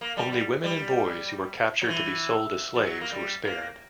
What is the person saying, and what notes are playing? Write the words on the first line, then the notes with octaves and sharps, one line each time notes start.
Only women and boys who were captured to be sold as slaves were spared.
A#3
G3
G3
G3
F#3
E3
G3
F#3
A#3
G3
A#3